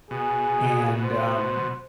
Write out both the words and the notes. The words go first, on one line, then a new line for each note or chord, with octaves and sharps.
And, um,
B2 G#4
C5